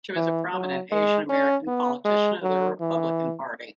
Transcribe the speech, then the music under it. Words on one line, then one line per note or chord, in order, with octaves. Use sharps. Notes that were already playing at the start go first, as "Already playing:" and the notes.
She was a prominent Asian-American politician of the Republican Party.
E3
F#3
G#3
C#4
B3
G#3
F#3
E3